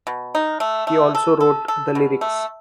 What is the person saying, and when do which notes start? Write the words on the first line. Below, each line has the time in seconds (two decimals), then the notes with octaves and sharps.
He also wrote the lyrics.
0.07 B2
0.35 D#4
0.60 A3
0.87 A3
1.15 A4
1.41 A4
1.68 A4
1.95 B2
2.21 A3